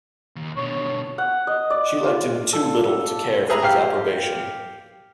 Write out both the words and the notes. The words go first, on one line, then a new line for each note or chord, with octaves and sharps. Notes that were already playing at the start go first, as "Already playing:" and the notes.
She liked him too little to care for his approbation.
D#2
B2 D3 C#5
F#5
D#5
D5
F4
A4
G#4 B4 E5 A#5
G4 F5